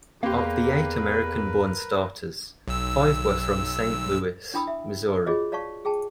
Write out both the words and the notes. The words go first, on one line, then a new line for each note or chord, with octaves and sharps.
Of the eight American-born starters, five were from Saint Louis, Missouri.
E2 A#3 G4 A#4 B4 F5 C6
B1 E6
D4 E4 G5 B5 D#6 E6
E5
F4 F#4 G#4 C#5 D#5
C#5 D5 F5 A5 C#6
G#4 G5 A5